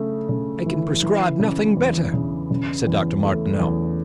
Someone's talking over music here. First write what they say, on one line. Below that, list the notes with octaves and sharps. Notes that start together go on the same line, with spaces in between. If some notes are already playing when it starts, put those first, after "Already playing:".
"I can prescribe nothing better," said Dr. Martineau.
Already playing: C#3 A3
C#3
E3
E3
C#3
E2
C#3
C#3
E2
A3
E2